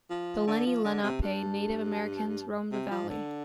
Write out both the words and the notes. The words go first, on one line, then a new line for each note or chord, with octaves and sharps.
The Lenni Lenape Native Americans roamed the valley.
F3
D3
F3
D3
C3
G2
C3
F3
D3